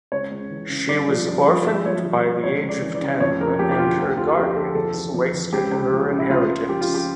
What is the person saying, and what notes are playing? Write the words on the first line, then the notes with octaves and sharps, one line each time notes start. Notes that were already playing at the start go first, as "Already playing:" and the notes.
She was orphaned by the age of ten and her guardians wasted her inheritance.
C#2 C#5
C#2
E3
C#3
G2 D5
F3
G2
F3
G2 E5
F3 C#5
G2
F3
C#2 C#5
C#2
D5
E3
D5
C#3
F2 C#5
F2 A#4
F3 G4
G4
D3 F4
D2
G4
D2 F4
F4
F3 G4
D3 A4
F2 A4
E3
F2
E3
C#2 G4
C#2
F3
C#3
E4
C#2 F4
C#2
F3 G4
F4
C#3
G4